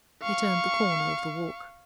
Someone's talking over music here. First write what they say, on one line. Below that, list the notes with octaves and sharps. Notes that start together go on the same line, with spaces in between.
They turned the corner of the walk.
F5 C#6